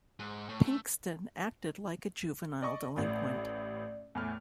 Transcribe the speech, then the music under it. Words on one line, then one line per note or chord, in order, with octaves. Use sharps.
Pinkston acted like a juvenile delinquent.
G#2
A2
A3
D5 D#5 C#6
A1 A2 D5
E2 A2 F6